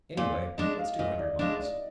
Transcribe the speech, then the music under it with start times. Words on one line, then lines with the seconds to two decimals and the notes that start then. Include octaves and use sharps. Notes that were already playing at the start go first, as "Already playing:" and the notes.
Anyway, what's two hundred miles!
0.17 A#2 F5
0.57 G#3 D4 D#5
0.78 F5
0.99 A#2 D#5
1.19 D5
1.39 G#3 D4 F5
1.60 D5